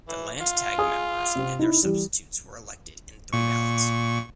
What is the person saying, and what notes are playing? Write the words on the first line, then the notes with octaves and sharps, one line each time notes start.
The Landtag members and their substitutes were elected in three ballots.
E3
F4
G#4 G#5 D#6
C3 C4
D#4 E4
E3 G3
A#2 C#6